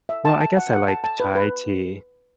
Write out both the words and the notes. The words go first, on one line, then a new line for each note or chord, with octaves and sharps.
Well, I guess I like chai tea.
E5
A5
A5
F#5
F#5
A5
A5
B4
B4